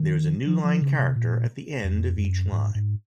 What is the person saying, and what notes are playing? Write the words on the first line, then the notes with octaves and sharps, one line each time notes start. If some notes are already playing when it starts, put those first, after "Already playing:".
There is a newline character at the end of each line.
Already playing: D#3
F3
F3
C#3
C3
A#2
F2
F#2
G#2
G#2